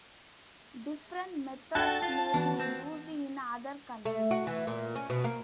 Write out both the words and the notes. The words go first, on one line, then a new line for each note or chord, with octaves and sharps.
Different methods may be used in other countries.
D4 F#4 A4 G5 A5 F#6
F4
E3 B3 D4 F#4
C4
A3
F#4
E3
A#2
C#4
B2
A#3